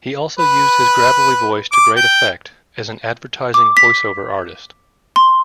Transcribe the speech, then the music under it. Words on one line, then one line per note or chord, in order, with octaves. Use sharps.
He also used his gravelly voice to great effect as an advertising voice-over artist.
B4
D6
G5
D6
B6
C6